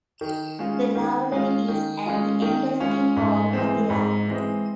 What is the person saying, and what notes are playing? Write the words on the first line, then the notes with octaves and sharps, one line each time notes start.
The lavatory is at the end of the hall on the right.
D#3
G#3 C#4 F4
D#3
G#3 C#4 F4
D#3
G#3 C#4 F4
D#3
G#3 C#4 F4
G#2
E3 G#3 C4
G#2
E3 G#3 C4